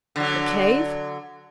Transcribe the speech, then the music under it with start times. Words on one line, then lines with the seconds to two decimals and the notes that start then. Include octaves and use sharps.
"The cave?"
0.16 D3 F#3